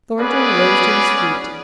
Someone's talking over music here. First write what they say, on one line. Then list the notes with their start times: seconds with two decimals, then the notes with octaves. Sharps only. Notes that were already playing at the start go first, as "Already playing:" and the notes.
Thornton rose to his feet.
0.19 B3 C#4 G#4 B4 D5